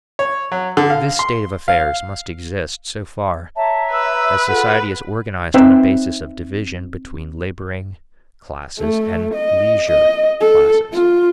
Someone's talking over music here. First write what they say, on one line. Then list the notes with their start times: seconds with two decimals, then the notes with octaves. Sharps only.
This state of affairs must exist so far as society is organized on a basis of division between laboring classes and leisure classes.
0.19 C#5
0.52 F#3
0.77 D3
0.90 F5
1.19 C6
1.68 F5
3.56 C#5 E5 A5 A#5
3.92 B4 E6
4.48 F4 G#4 A4 F#5
5.54 C4 D#4 B4 C5 E5 G5
8.78 A3
9.34 D#5
9.88 D#5
10.41 A4
10.93 F4